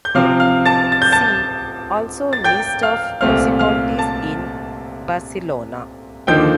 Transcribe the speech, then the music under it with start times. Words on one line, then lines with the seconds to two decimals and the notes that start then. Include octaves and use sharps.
See also List of municipalities in Barcelona.
0.05 G6
0.15 C3 F3 C4 F5 F6
0.40 F5 F6
0.65 A5 A6
0.92 A6
1.02 G6
1.12 A5 A6
2.33 A6
2.44 G5 G6
2.82 F5 F6
3.21 C2 A#2 A3 C4 F5 F6
3.59 F5 F6
3.99 A5 A6
6.27 D#2 D3 F3 A#3 D#4 G5 G6